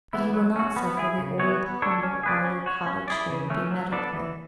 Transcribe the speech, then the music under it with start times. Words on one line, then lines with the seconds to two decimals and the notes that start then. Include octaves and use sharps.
But he will not suffer the old, humble Arler cottage here to be meddled with.
0.13 E3 B3 E4
0.34 F#3
0.56 C#4 F#4
0.76 B3
0.97 E4 G#4
1.18 C#3
1.39 E3 B3 F#4 C#5
1.60 B3
1.82 D4 A4 C#5
2.03 C#4
2.23 G#4 B4 D5
2.44 C#4
2.66 F#4 C#5
2.86 C#4
3.08 E4 G#4 D5
3.30 C#3
3.50 E3 A3 C#4
3.71 F#3
3.92 B3 D4 A4 D5
4.13 E3